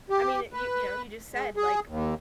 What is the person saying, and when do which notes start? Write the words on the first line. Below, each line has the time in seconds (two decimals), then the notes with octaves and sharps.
I mean, uh, you you know, you just said like, f
0.10 G4
0.53 B4
1.33 G#3
1.57 G#4
1.88 D#2